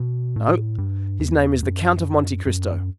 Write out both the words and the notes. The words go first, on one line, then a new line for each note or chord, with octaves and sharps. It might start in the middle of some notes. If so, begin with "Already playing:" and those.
"No, his name is the Count of Monte Cristo."
Already playing: B2
A2
G2
E2
F#2
F#2